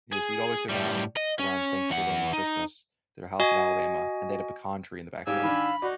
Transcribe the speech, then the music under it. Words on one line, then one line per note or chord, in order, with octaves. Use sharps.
is we'd always go down around Thanksgiving and Christmas to their house in Alabama, and they had a pecan tree in the backyard.
G#4
A2 G3
D#5
C#4
E2 F#5
D#4
F#4 D#5 G#5
G#2 G3 G4 F5 G#5 E6
D#3 D4 B5
D#4 F#4 D5